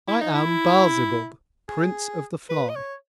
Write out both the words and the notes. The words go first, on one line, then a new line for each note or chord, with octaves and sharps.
I am Baal-Zebub, Prince of the Fly.
E4
D#4
E4
G#4
B4
D#5
C#5